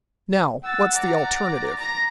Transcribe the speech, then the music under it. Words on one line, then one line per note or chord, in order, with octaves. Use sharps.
"Now, what's the alternative?"
F#5 E6 A6
D5 A#5
A#5 A#6